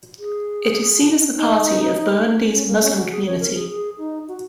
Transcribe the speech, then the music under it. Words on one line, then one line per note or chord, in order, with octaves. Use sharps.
It is seen as the party of Burundi's Muslim community.
G#4
D#4
C#4
A#3
C#4
F#4
G#4
C#5
A#4
G#4
G#4
D#4
F#4